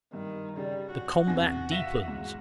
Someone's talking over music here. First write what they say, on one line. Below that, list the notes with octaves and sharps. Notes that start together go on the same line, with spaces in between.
The combat deepens.
G2 D#3
C#3 G3
F#4
E2 C3 G#5 A#6
E5 F5 A#6 B6 E7
E2 G#2